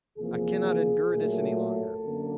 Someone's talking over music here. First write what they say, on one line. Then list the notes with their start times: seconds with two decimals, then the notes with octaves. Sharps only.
I cannot endure this any longer.
0.17 E2 C3 F3 A#3 G#4
1.11 A#2 F#3 A3
1.58 A4
2.04 F#2 D3 F#3 A#3